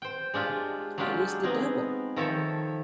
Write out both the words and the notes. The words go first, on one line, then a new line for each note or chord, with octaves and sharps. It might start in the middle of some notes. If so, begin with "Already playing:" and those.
It was the devil!
C5 G5
G#3 D4 F4 G4
F#3 G#3 D4 F4 G4
B3 C4 D#4 G#4
D#3 F3 A4 C5 C#5 E5